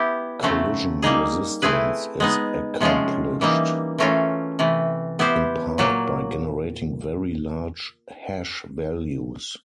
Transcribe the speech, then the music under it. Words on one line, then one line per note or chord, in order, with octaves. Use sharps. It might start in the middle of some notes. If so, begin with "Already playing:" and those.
Collision resistance is accomplished in part by generating very large hash values.
Already playing: B3 E4 G4
C#3 F#3 A3 C4
G3 A#3 D#4 G#4
A3 C4 E4 G#4 B4
G#3 B3 D#4
C3 F3 G#3 C#4 F4
E3 G3 A#3 D#4
E3 A3 C#4 F4 A#4
C3 E3 A3
B3 E4 G4 C5
A#2 F#3 A#3